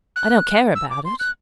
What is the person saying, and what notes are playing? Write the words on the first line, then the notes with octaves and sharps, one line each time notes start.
I don't care about it.
F#6
E6
D6
C6
F#6